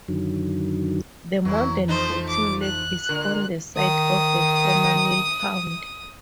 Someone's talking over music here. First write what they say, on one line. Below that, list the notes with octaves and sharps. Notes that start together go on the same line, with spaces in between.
The modern boating lake is on the site of the former mill pond.
F#2 D3 D#3 F#3
F2 E3 F#3 E4
F3 A3 D#4 C5
D6
F#6
A#2 D3 A#4
D#3 D#6